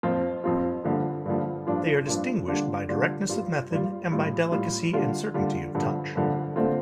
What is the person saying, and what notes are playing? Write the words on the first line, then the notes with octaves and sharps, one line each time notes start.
They are distinguished by directness of method and by delicacy and certainty of touch.
F2 F3 C4 F4
F2 F3 C4 F4
G2 D3 F3
G2 D3 F3
G2 F3 D4 F4
G2 F3 D4 F4
D3 G3 D4 F4
D3 G3 D4 F4
G2 G3 F4
G2 G3 F4
A2 G3 F4
A2 G3 F4
D3 G3 F4
D3 G3 F4
G2 D3 F3
G2 D3 F3
D3 A3 C4 F4